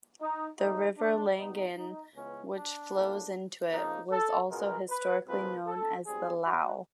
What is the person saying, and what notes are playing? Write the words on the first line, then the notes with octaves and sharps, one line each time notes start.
The River Lagan, which flows into it, was also historically known as the "Lao".
D#4
E2 C3 F3 A3 D#4
D4
B1 B2 G3 B3 D#4
D#4
C#2 C#3 E3 G#3 B3 C#4
D4
B1 A2 F#3 A#3
F2 C#3 F3 A#3 D#4
A4
C#2 B2 G#3 B3 A#4
B4
C2 A#2 F3 G#3 C4 B4
A4
B1 B2 G3 C4 G#4
F#4